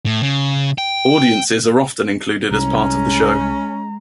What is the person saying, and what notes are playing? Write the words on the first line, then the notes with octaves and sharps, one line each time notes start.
Audiences are often included as part of the show.
A2
C#3
G5
C2 G#3 C#4 A#5